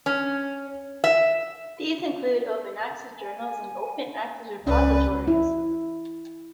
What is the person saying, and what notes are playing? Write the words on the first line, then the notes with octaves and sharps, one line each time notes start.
These include open access journals and open access repositories.
C#4
E5
G#5
C#2 C#4 B4 D5
E4